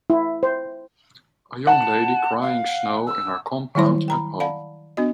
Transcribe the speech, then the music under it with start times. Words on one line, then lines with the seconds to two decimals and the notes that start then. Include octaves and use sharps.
A young lady crying snow in her compound at home.
0.10 E4
0.43 C5
1.67 F#5 A5
2.41 F5
3.07 E6
3.75 D#3 F#3 G3 E4 C5 C6
4.08 G5 A#5 B5
4.40 D5 F5 F#5 A5 B5
4.97 B3 D4 F#4 D#5